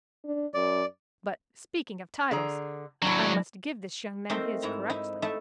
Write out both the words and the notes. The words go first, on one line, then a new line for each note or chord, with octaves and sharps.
But speaking of titles--I must give this young man his correctly.
D4
F#2 D5
D3 G#4 A#5
D#2 F#3 D4 E4
A3 C4 D#4 A#4 E5 G5
G#2 E4 A#5
D#4 E4
A3 D#4 E4 E5 A5